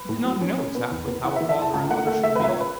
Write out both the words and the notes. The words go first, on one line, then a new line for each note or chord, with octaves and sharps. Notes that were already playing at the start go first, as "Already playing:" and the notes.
He did not know exactly how a father and mother should be.
Already playing: B4
A2
F#3
C#4
C#4
B3
E2
B3
E4 F#5
E5
E3
E5
E4 A5
C#2 A5
A3 F#5
A3 F#5
A3 E5
B4
C#2 E5
C#5
B4